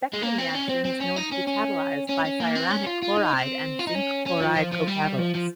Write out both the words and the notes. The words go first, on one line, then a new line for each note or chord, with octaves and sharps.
Beckmann reaction is known to be catalyzed by cyanuric chloride and zinc chloride co-catalyst.
G#3
A#3
C4
C#4
C4
C4
C#4
D#4
C#4
C#4
C#4
C#4
A#3
C4
C#4
F4
F4
D#4
C4
F4
D#4
C#4
C#4
F3
F3
F3
G3
F3
F3